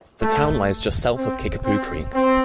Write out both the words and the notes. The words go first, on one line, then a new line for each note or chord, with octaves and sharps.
The town lies just south of Kickapoo Creek.
A3
C4
C4
C4